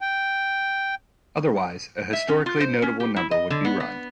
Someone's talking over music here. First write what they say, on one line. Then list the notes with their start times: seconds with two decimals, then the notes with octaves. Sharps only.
Otherwise a historically notable number would be run.
0.01 G5
2.13 E5
2.28 C#4
2.46 F4
2.61 C5
2.82 C#4
3.00 G4
3.16 E4
3.31 D#5
3.50 D3
3.65 B3
3.80 B3